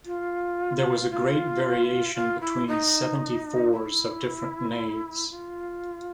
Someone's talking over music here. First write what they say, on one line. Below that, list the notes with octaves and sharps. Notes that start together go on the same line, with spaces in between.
There was great variation between seventy-fours of different navies.
F4
F4
F4
E4
D#4
E4
F4